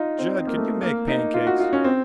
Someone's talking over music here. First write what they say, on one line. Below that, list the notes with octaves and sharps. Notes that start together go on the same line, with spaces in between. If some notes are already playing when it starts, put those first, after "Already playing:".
"Jud, can you make pancakes?"
Already playing: D#4 F4
C4
C4
A#3
A3
A#3
D#4
F4
F#4
F4
C#4
C4